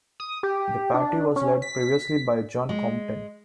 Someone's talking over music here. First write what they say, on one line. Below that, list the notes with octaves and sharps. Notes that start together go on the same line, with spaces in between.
The party was led previously by John Compton.
D#6
G4
D4
C#4
B6
G#3